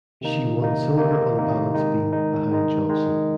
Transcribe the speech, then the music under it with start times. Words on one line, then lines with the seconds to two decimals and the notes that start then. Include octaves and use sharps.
She won silver on balance beam behind Johnson.
0.21 C3 D#3 A#3 D#4
0.60 C3 D#3 A#3 D#4
0.97 C3 D#3 A#3 D#4
1.36 C3 D#3 A#3 D#4
1.74 D#3 G#3 D#4
2.13 D#3 G#3 D#4
2.51 D#3 G#3 D#4
2.89 D#3 G#3 D#4